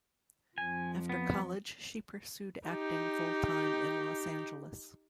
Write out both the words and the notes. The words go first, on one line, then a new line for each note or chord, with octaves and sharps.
After college, she pursued acting full-time in Los Angeles.
F2 F3 G#5
B3
D#4 G4